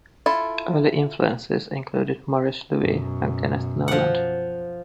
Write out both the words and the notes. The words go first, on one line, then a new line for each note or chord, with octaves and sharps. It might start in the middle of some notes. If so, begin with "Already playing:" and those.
Early influences included Morris Louis and Kenneth Noland.
E4 F4 A4
F#2 B2
F3 F#5